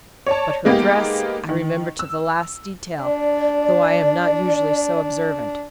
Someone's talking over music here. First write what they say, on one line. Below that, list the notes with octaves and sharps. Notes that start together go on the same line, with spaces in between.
But her dress I remember to the last detail, though I am not usually so observant.
C#5 D5 A5
G#3 A#3 B3 D#4 G4
D#3
E6
D4 D5